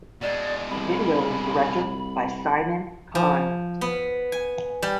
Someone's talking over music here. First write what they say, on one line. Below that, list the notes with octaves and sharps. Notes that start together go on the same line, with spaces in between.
The video was directed by Simon Cahn.
B2 G#3 D5
C2 B5
F3
B3
G#5
G3